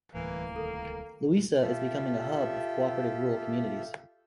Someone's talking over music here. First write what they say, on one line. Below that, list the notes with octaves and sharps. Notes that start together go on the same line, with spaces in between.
Louisa is becoming a hub of cooperative rural communities.
D1 C2 A2 E3 A#3
D#3 A4
F4 G4 A4 E5